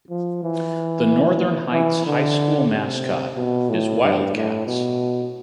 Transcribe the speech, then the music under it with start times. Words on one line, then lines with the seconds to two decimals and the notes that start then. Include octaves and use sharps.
The Northern Heights High School mascot is Wildcats.
0.10 F3
0.43 E3
1.73 E3
2.06 D3
2.71 C3
3.37 B2
3.69 A2
4.02 G2
4.35 A2
4.67 B2